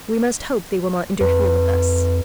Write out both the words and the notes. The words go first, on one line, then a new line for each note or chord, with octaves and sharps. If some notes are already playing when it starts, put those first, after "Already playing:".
"We must hope they will not interfere with us."
F2 B4